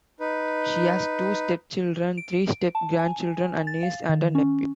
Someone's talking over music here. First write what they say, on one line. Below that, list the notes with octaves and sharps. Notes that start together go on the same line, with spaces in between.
She has two stepchildren, three step grandchildren, a niece and a nephew.
D#4 B4
D7
A5
G#5
A6
F5
D#3
C#4